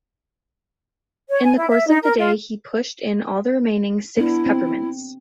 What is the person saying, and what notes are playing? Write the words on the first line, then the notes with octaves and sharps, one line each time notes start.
In the course of the day he pushed in all the remaining six peppermints.
C#5
G#5
E4
E5
D#4
A#4
F4
B3 D4 E4
C4